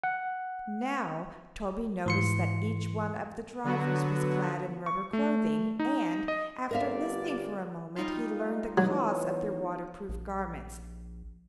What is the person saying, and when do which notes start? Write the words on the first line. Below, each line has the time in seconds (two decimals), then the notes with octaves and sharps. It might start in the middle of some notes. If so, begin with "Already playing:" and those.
Now, Toby noticed that each one of the drivers was clad in rubber clothing, and, after listening for a moment, he learned the cause of their water-proof garments.
0.04 F#5
2.06 G#2 E3 C6 C#7
3.64 D3 F#3 B3 F#4
4.86 C#6
5.13 A3
5.79 D#4
6.28 D#5
6.71 G1 A#4 D5 E5 F5
7.96 G3 D#4 F4
8.78 E3 F#3 B3 C#5
10.09 A#1